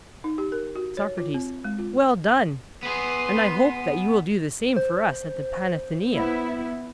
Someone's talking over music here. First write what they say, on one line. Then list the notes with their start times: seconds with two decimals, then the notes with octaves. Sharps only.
SOCRATES: Well done; and I hope that you will do the same for us at the Panathenaea.
0.24 D#4
0.38 G4
0.52 A#4
0.76 F#4
0.97 C#5
1.18 F4
1.34 C4
1.64 G#3
1.78 F4
2.83 B3 G#4 B4 C6
4.76 C5
6.14 B3 E4